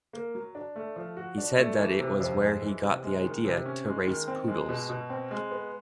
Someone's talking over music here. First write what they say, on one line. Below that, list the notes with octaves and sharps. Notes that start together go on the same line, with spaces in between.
He said that was where he got the idea to race poodles.
A#3
F#3
D4
A3
F3
F#4
D4
A3
E3
C3
F2
G#3
E3
C3
G#3
D#3
C3
C#4
G#3
D#3
C4
G#3
B2
B2
C4
G#3
B3